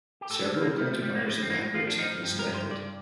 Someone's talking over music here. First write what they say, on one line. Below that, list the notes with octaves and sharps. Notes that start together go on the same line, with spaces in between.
Several cultivars and hybrids have been selected.
G4
A2 A4
A4
F3
A#3
F3 A3
A3
F3 G3
A#3
A2 A3
C4
A2 A#3
F3 F4
D4
F3 D#4
G2
A#4
G2
C5
G2 D5